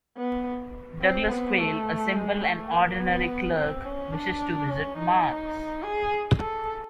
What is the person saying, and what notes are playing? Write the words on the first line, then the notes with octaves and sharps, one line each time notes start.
Douglas Quail, a simple and ordinary clerk, wishes to visit Mars.
B3
C4
B3
A3
G#3
A3
A#3
B3
C4
C#4
D4
C#4
D#4
G#4
A4